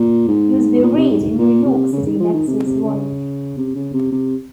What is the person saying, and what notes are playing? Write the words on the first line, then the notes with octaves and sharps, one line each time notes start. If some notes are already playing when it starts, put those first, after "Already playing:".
He was buried in New York City next to his wife.
Already playing: A#2
G#2
A#2
C3
G#2
G#2
A#2
C3
C#3
D#3
F3
D#3
C3
C3
C#3
C3
C#3
C3
C3